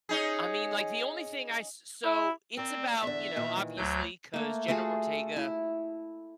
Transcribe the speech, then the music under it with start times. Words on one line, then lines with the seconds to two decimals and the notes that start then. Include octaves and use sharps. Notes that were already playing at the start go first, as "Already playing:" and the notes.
I mean, like, the only thing I s so, it's about, you know, obviously, 'cause Jenna Ortega
0.09 C#4 D#4 G#4
2.04 E4
2.57 C4 A#4 D5
3.03 E2 D3 E5
3.36 A#2 D#3 E3
3.77 D2 F#3 G6
4.34 A3 A#3
4.68 A3 F4 F#4 G#4
5.36 E4